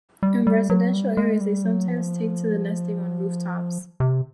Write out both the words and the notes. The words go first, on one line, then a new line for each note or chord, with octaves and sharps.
In residential areas, they sometimes take to nesting on roof-tops.
G3
G3
F#3
G3
G#3
G3
F#3
F3
C3